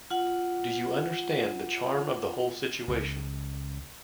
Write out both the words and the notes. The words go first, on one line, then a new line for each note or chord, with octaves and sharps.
Do you understand the charm of the whole situation?
F4 F#5
C#2